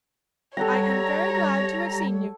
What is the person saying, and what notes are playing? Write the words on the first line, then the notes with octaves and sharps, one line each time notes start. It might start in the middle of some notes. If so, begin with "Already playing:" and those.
I am very glad to have seen you.
G3 A4 C#5 F#5 G5 A#5